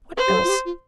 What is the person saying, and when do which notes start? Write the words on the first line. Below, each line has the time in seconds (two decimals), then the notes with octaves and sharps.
What else?
0.17 B4 C5
0.27 G4
0.33 A4
0.44 F4
0.49 G4
0.65 F4